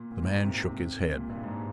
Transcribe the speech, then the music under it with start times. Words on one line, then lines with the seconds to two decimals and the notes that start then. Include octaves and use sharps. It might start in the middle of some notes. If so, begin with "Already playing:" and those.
The man shook his head.
Already playing: A#2
0.12 A#2
0.23 G#2
0.44 C3
0.67 C3
1.14 A#2
1.29 G2
1.44 G#2